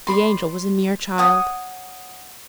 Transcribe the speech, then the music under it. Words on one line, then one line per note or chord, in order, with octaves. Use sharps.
The Angel was a mere child.
D5 B5 C6
C#5 F#5 D#6